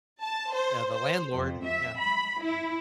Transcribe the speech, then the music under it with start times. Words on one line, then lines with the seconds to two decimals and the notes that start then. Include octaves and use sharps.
Yeah, the landlord Yeah.
0.22 A5
0.52 C5
0.90 C5
1.35 F2
1.66 E5
1.99 B5
2.42 E4